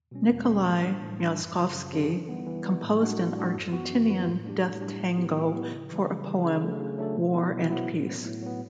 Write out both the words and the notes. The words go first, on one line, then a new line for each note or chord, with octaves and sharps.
Nikolai Myaskovsky composed an Argentinian Death Tango for a poem War and Peace.
B2 G3 C#4
E2
B2 G3 C#4
A2
E3 G3 D4
A2
E3 G3 D4
F#2
C#3 F#3
F#2
C#3 F#3
E3
G3 B3
E3
G3 B3
A2
G3 D4 F#4
A2
G3 D4 F#4
F#2
E3 B3 F#4
F#2
E3 B3 F#4
A2
G3 D4 G4
A2
G3 D4 G4
A2
F#3 B3 E4 G4
A2
F#3 B3 E4 G4
C#3
E3 G3
C#3
E3 G3
C#3
F#3 A3 D4 A4
C#3
F#3 A3 D4 A4
B2
F#3 B3 E4
B2
F#3 B3 E4
A2
F#3 B3
A2
F#3 B3